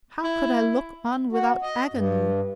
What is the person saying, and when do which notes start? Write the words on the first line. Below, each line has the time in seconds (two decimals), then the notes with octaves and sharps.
How could I look on without agony?
0.24 E4
1.33 F#4
1.62 D#5
1.94 G2